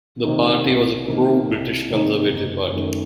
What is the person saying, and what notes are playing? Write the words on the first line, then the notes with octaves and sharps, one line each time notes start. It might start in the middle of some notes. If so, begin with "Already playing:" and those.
The party was a pro-British conservative party.
C3 D#3 A#3 D#4
C2
C3 D#3 A#3 D#4
C2
C3 D#3 A#3 D#4
F#1
F#2 D#3 A3